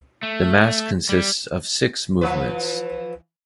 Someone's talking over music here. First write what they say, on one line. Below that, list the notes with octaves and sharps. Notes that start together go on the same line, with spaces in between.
The mass consists of six movements.
A3
G3
E3 F3 B4